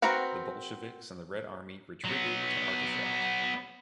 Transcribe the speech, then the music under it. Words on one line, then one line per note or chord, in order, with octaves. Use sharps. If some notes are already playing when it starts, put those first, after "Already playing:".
The Bolsheviks and the Red Army retreated to Artashat.
C4 F#4 A#4 B4 F#5
F#3 B3